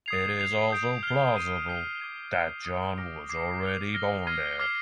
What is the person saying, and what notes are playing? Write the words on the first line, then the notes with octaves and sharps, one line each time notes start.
It is also plausible that John was already born there.
D#6 G#6 C7 F7
G#6 C7 F7
D#6 G6 D7
F6 C7 G7
G6 C7 D#7 G7
D#6 G6 C7
D6 G#6 D#7
F6 C7 G7
D#6 G#6 D#7
D6 F6 A#6 D7
D6 G#6 C7
D6 G#6 D7 F7
F6 A#6 D#7 G7
F6 G#6 C7 D#7
D6 F6 G#6 C7 F7